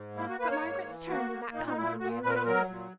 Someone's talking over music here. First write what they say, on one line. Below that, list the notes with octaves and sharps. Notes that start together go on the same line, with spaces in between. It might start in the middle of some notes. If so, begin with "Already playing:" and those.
But Margaret's turn did not come for nearly a year.
Already playing: G#2
A#3 E4
F#4
A#3 B4
C#5
G#2
E3
A#3 F#4
A#3
A#2 D#4
D#4
A#2 E4
A#2 F#4
A#2 B4
A#4
B4
F#3 A#4
A#2